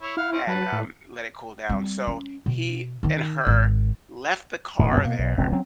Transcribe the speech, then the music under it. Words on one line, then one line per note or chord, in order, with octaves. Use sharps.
and, um, let it cool down. So he and her left the car there,
E4 C#5
E4 F5 F#5
C4 C#4
F#3 B4 A5
A2
G3 C4
C#4
B2
D#3 D#4
G#1 D#3
D#1 D2 A2
F#2 C3 B3
B2 A#3
B1
E1 C#2 G2 C4
F#3 C4 C#4